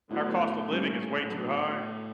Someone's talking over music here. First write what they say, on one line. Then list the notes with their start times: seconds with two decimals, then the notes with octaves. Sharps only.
our cost of living is way too high,
0.11 A2 D3 F#3 B3 E4
0.69 G3 A#3 C#4
1.21 G#2
1.27 A2 F#3 B3 D4
1.57 A2